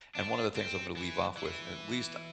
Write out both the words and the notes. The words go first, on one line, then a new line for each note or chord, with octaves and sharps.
And one of the things I'm gonna leave off with, at least
D4
C4
E3
E3